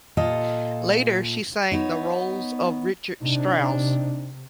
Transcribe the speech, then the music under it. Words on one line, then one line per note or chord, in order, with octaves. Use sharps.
Later she sang the roles of Richard Strauss.
A#2 F4 A4 D#5
B3 D#4 C#5
C3 D4 D#4